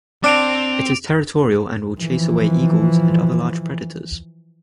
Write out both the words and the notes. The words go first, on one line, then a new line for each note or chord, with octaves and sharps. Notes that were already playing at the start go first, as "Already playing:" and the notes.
It is territorial and will chase away eagles and other large predators.
C4 D4 D6 D7 F7
E3 F3